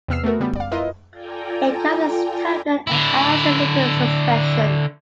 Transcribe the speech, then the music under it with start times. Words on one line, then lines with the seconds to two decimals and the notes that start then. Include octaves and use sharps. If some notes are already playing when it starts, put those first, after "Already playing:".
It comes as a tablet and as a liquid suspension.
0.08 E2 C3 B3 E6 F6 C7
0.24 A3 B3 F#4 A#4
0.40 C#3 G3 B3
0.56 D5 F5
0.72 E4 F4 A#4 B4 D#5
1.11 F4 A4 D5 G5 G#5 A#5
2.87 D3 E4